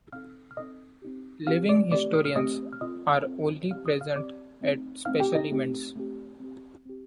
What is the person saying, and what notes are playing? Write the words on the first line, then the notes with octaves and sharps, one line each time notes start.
Living Historians are only present at special events.
C4 D#4 A4 F5 F6
F6
C4 D#4 A4 D#5 D#6
C4 D#4 G4
C4 D#4 G4 F5 F6
D5 D6
A3 C4 G4 D5 D6
D#6
F6
A3 C4 G4 D#5 D#6
F6
C4 F4 A4 D#5 D#6
C4 F4 A4
C4 G4 F5 F6
D#5 D#6
F5 F6
C4 G4 D5 D6
A3 C4 D#4
A3 C4 D#4 F5 F6
G4 G5
D#4 D#5
A3 C4 G4
A3 C4 G4
C4 G4
C4 G4